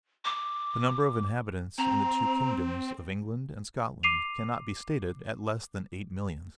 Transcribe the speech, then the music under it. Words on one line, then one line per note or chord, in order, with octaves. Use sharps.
The number of inhabitants in the two kingdoms of England and Scotland cannot be stated at less than eight millions.
D6
C4 A#5
D6 C7 D#7 F7